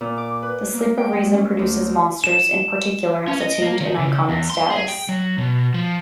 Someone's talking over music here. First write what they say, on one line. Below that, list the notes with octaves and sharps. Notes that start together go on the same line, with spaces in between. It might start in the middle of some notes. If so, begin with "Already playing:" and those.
"The Sleep of Reason Produces Monsters" in particular has attained an iconic status.
A#2
D6
B4
A#3
G5
G#3
C#4
D2
E7
C#4
D#5
A#3
D#3
C#3
E2
C6
G#4
G5
F#3
B2
F3